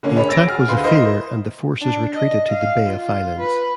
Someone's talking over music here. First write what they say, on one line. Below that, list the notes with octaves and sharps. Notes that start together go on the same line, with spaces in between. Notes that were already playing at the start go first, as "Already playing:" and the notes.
The attack was a failure and the forces retreated to the Bay of Islands.
D3 A#3 C#4
G#4 C#5 B5
E6 A6 A#6 D7
F#4 G#4 F6
D2 B4 F5 C6
E4 A#4 C5 D#5
D4
D#5
F5
F4
B4